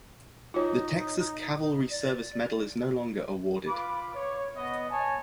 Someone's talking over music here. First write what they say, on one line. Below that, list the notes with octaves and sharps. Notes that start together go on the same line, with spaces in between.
The Texas Cavalry Service Medal is no longer awarded.
D#4 F4 F#4 C#5
D5
F4 B4 B5 D6
C#5
B3 D#5
C#5 G#5 A5